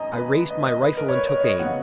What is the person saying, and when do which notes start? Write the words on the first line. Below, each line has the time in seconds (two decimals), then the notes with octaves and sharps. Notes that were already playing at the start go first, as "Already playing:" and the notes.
I raised my rifle and took aim.
Already playing: G#1 F#2 D#5 G#5 A#5
0.14 B4
0.35 B4
0.50 D#5
0.67 D#5
0.81 B4
0.97 A#4
1.08 C#5
1.13 B4
1.28 C#5
1.40 C#5
1.44 D#5
1.60 C#3 F#3 B3 F#5